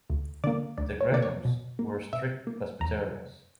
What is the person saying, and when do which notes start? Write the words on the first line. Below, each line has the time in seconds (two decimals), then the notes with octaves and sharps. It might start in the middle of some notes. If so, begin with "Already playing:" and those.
The Grahams were strict Presbyterians.
0.10 D2
0.44 D3 A#3 D5
0.78 D2 D5
1.01 C#5
1.12 D3 A#3 D5
1.22 C#5
1.45 B2
1.79 A#3
2.13 B2 E5
2.47 A#3
2.81 E2 A#5